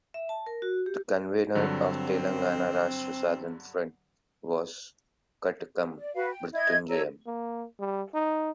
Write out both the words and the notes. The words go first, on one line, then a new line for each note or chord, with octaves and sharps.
The convenor of Telangana Rashtra Sadhana Front was Katakam Mruthyunjayam.
E5
A5
A#4
F#4
G4
G2 D3 F#3 C4
D5
F#4 B4 F5
G5
E4 D#5 G#6
A4 C#5 A#5 E6
A#3
G3
D#4